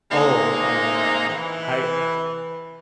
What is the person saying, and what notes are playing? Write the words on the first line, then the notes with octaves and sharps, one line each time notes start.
Oh, uh, a hi h
G#3 A#3 C4 D#4
E3